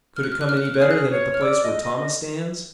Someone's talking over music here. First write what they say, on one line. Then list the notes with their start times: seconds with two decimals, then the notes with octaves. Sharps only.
"Could it come any better than at the place where Thomas stands?"
0.17 F6
0.24 F#6
0.32 F6
0.41 F#6
0.49 F6
0.57 F#6
0.65 F6
0.74 F#6
0.79 G#4 F6
0.91 F#6
0.98 F6
1.10 C#5
1.34 F6
1.41 D5 E6
1.63 D#5
1.83 D#5